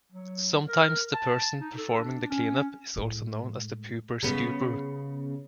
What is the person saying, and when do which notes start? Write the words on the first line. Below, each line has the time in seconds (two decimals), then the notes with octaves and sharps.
Sometimes, the person performing the cleanup is also known as the pooper-scooper.
0.12 F#3
0.69 A#4
1.13 A5
1.60 D#4
1.78 A4
1.98 D4
2.30 C#4
2.96 A2 G#3
4.23 C#3 B3